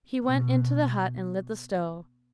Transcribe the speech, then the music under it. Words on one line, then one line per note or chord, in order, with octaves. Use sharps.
He went into the hut and lit the stove.
B2